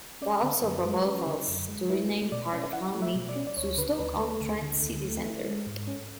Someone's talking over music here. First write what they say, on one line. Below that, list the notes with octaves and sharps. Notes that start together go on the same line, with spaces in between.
There are also proposals to rename part of Hanley to Stoke-on-Trent City Centre.
C#4 D5
D3
F#2 B4
G#3
C#4 B4
D3
F#2
G#3
E4 B4
A3
B2 D5
C#4
E4 F#5
A3
E5
B2
D5
C#4
D5
D2 C#5
D3 B4
D2 B4
A3 A4
D2
D3
D2
A3
E4
G#3
G#2
C#4